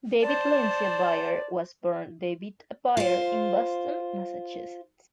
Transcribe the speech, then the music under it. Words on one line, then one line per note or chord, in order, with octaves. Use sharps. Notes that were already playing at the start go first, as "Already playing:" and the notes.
David Lindsay-Abaire was born David Abaire in Boston, Massachusetts.
C5 D5 A5
F4 C5